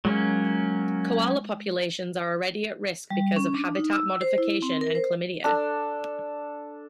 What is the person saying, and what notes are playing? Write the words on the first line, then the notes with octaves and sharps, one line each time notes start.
Koala populations are already at risk because of habitat modification and chlamydia.
F#3 G#3 A#3 C#4
G3
C#4
D4
D#4
E6
C5
E4
C4
A#4
C5
D4 A4